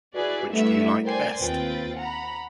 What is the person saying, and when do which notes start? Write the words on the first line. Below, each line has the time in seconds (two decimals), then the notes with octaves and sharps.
Which do you like best?
0.16 E4 F#4 G#4 B4 D5
0.51 G2 A3 B3 E4 E5
1.04 A#4 C5 D5 G5 G#5 C6
1.40 D#2 C4 F4 B4 G5 A6
1.98 F#5 A#5 B5